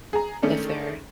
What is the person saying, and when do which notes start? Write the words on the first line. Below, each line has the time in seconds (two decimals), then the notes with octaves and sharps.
if they're
0.13 G#4 A#5
0.42 D#3 G#3 A3 C#4 D4 A4